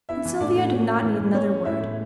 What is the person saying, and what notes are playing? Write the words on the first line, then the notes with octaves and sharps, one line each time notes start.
And Sylvia did not need another word.
B3 E4 E5
E3
A2 D4 D5
A2
C#4
A3
E3
E3
C#4 C#5
G#3
A2 E4 E5
A2